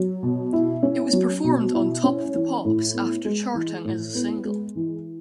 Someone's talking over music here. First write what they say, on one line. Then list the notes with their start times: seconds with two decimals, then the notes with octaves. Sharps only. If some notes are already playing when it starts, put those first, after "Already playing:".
It was performed on "Top of the Pops" after charting as a single.
Already playing: F#3
0.23 B2
0.53 E4
0.83 C#4
1.13 F#3
1.44 B2
1.74 E4
2.04 C#4
2.34 E3
2.65 A2
2.94 B3
3.25 G#3
3.54 E3
3.85 A2
4.15 B3
4.45 G#3
4.76 E3